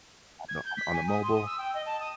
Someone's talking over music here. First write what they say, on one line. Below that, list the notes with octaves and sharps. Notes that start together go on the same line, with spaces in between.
on the on the mobile.
G#6
G6
B6
G#5
D#6
C6
D#6
E6
G5
D#5
A5
D#6